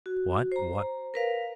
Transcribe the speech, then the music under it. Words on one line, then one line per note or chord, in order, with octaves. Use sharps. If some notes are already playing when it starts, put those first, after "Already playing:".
What, what!
F#4
C5 A#5
A#4 B4 F5